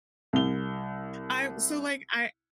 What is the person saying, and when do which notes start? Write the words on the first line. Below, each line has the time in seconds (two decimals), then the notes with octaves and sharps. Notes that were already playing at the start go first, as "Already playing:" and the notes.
I so like I
0.33 C2 G7